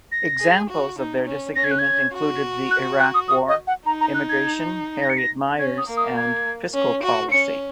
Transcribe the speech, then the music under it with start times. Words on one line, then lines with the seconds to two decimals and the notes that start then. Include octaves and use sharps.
Examples of their disagreement included the Iraq War, immigration, Harriet Miers and fiscal policy.
0.12 A#6
0.40 G#4
0.69 F#4
0.98 D#4
1.27 C#4
1.56 C#4 A#6
1.64 G#6
1.71 F#6
1.79 G#6
2.14 F#4
2.71 F#6
2.99 F#6
3.14 D#6
3.28 D#6
3.48 D#5
3.67 F#5
3.86 D#4 A#5
4.01 A#5
4.14 F#6
4.29 G#6
5.01 A#6
5.09 C#7
5.18 A#6
5.59 C#4 G#6
5.78 D#6
5.87 A#3
5.97 D#6
6.17 G#6
6.74 C#4
7.03 F#4
7.31 C#4 C#7